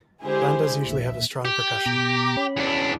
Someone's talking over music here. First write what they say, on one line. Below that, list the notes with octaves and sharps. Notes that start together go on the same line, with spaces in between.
Bandas usually have a strong percussion.
D3 G#3 E4 G4 G#4 C5
A#1 D#2 E5
G4
B2 A#5 D6
C#4 B5
E2 D4